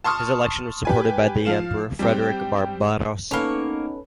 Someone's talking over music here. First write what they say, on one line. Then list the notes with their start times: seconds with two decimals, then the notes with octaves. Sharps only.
His election was supported by the Emperor Frederick Barbarossa.
0.04 A5 C6 C#6 D#6 F6
0.85 G4 B4 G#5
1.45 F3 F5 E7
1.99 G3 C4 G4
3.31 A#3 B3 C#4 D#4 A4 B4 C#5